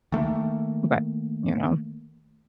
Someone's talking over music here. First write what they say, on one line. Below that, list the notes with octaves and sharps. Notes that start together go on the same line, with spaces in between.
but, you know?
D#3 A3 A#3